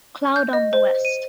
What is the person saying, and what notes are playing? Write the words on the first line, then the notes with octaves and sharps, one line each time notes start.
Cloud on the west.
G6
D#5
C5
D#7